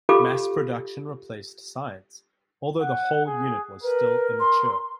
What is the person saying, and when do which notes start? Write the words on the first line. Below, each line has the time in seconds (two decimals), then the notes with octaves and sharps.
Mass production replaced science, although the whole unit was still immature.
0.09 F4 G4 A4 F5 B5 D6
2.81 F#5
3.26 G#4
3.84 A#4 B4
4.39 C6